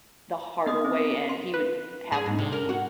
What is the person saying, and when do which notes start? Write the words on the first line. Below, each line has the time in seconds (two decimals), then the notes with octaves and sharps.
the harder way, and he would have me,
0.66 B3 D#5 D#6
0.85 C4
1.29 C6
1.54 B4
2.12 G#4
2.26 G#2
2.39 C3
2.53 A#4
2.69 F#4